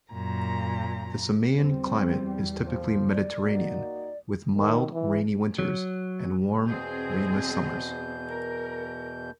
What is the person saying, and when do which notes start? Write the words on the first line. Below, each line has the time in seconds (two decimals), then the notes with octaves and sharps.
The Samian climate is typically Mediterranean, with mild rainy winters, and warm rainless summers.
0.12 F#2 A#2 A#5
1.59 E2 G3 C4
2.66 F3 C5
3.11 D5
3.41 A#3 D#4 F#4
4.57 D#3
4.93 E3
5.59 F#3
6.67 E2 B2 C4 G#4 G6
8.28 A#4